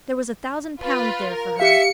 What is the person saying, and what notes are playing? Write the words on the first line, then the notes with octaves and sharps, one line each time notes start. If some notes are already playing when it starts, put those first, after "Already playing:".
There was a thousand pounds there for her!
F4 B4
A#4
G4 E5 F5 C#7